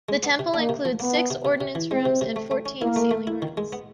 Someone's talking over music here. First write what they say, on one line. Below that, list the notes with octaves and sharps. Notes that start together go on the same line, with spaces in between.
The temple includes six ordinance rooms and fourteen sealing rooms.
G#3
B3
C3
A#3 D4
C3
F3
A#3 B3
D4
C3
C3
C3
E3
G#3 C4
C3
C3
A3
A3
C#4
A#3 E4
A3
A3
E4
D#3
G#3
B3